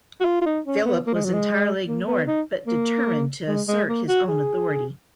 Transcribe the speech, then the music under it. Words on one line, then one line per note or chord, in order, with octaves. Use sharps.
Philip was entirely ignored but determined to assert his own authority.
F#4
F4
F4
D#4
C#4
B3
A#3
G#3
F#3
G#3
A#3
B3
D#4
A#3
G#3
G#3
A#3
F#4
G#4